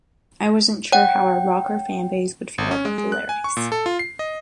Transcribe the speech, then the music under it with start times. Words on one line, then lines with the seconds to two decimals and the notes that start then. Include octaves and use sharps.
I wasn't sure how our rocker fanbase would feel about the lyrics.
0.92 C#5 F#5 G5
2.58 G#1
2.71 C#4
2.85 G#3
2.98 G#3
3.12 F#6
3.29 G#5
3.44 C#6
3.57 A#2
3.72 A4
3.86 F4
3.99 C7
4.19 D#5